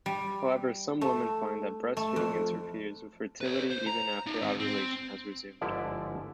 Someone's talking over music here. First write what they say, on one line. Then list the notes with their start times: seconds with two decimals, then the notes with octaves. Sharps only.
However, some women find that breastfeeding interferes with fertility even after ovulation has resumed.
0.06 G3
1.01 A3
1.97 A3
2.16 F2
3.41 B4 C#5
3.70 C5
3.87 A#5
4.26 D#4 D5
4.41 G#2 C4
4.59 C4
5.61 G1 G#2 D3 F3 E4 D5